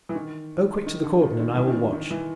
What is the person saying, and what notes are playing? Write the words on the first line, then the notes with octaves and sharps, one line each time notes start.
'Go quick to the cordon and I will watch.
E3
D#3
D#3
D3
D#3
D#3
E3
D#3
D3
D#3
E3